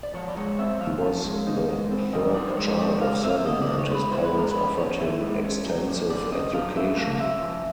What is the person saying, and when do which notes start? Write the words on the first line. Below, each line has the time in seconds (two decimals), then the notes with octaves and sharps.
He was the third child of seven and his parents offered him extensive education.
0.03 D5
0.14 F3 C#5
0.29 D5
0.36 G#3 C#5
0.59 C4 E5
0.80 F3 F5
1.02 F3
1.24 G#3
1.47 D#4
1.69 G#3
1.91 C4
2.13 E3 D#5
2.34 D#4 D5
2.47 C5
2.57 G#3 C#5
2.79 D#4 D5
3.01 G#3 F5
3.23 C4 E5
3.30 F5
3.38 E5
3.45 B2 D#5
3.62 D5
3.67 D#4
3.78 C#5
3.89 G#3 C5
3.94 B4
4.11 E4 C5
4.25 B4
4.33 G#3 A#4
4.51 C#4 B4
4.77 F3 C#5
4.99 E4
5.22 G#3
5.44 C#4
5.66 F#3
5.88 A#3
6.10 D3 D5
6.32 C#4 D#5
6.54 F#3 F5
6.76 F3 E5
6.98 A3 F5
7.15 F5
7.20 C#4 E5
7.42 F3